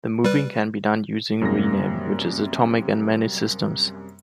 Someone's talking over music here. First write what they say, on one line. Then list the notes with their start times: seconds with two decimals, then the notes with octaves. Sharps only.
The moving can be done using rename, which is atomic in many systems.
0.24 G3 B4
1.41 F#2 C3 G3 A#3 A#6